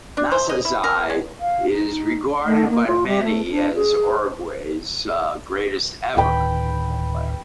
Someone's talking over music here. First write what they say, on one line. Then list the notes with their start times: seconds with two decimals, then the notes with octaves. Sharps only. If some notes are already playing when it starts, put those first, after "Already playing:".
Nasazzi is regarded by many as Uruguay's greatest ever football player.
0.17 D4
0.32 C5
0.49 D#5
0.65 E4
0.84 A#4
1.10 G#3
1.40 F5
1.70 D#4
2.45 A3
2.69 A#3
2.87 F4
3.06 G3
3.23 A3
3.50 D4
3.74 G#4
6.17 D1 D#3 B4 G5 B5